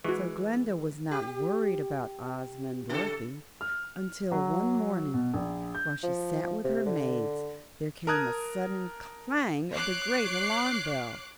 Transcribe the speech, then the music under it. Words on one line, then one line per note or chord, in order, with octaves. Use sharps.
So Glinda was not worried about Ozma and Dorothy until one morning, while she sat with her maids, there came a sudden clang of the great alarm bell.
E3 G#3 F#4 C#6
G4
C#3 A4
F6
F#3
B2
A#1
G6
F3
C3
D3
A#4 A5 A#5 D#6 F#6 G#6
C#5 D6 F#6 C7